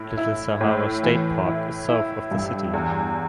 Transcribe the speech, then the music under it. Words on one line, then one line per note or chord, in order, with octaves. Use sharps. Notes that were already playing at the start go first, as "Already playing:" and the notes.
Little Sahara State Park is south of the city.
Already playing: A2 E4
E4
A2
E3
E4
E4
G2
E2